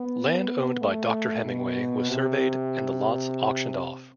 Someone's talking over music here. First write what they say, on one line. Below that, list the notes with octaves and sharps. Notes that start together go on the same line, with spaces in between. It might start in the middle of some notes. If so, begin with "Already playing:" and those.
Land owned by Doctor Hemingway was surveyed and the lots auctioned off.
Already playing: B3
A3
B2
C3